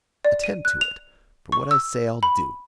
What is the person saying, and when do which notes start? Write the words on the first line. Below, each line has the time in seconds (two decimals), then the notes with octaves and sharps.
Attend to it; for what I say I'll do.
0.25 D5
0.44 D#7
0.65 F#6
0.81 F7
1.52 C#6
1.71 E6
2.23 B5